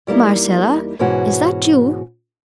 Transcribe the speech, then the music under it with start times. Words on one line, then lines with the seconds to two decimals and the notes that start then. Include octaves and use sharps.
"Marcella, is that you?"
0.07 E2 G3 A#3 D#4 E4
0.99 G#2 B2 E3 C#4 F#4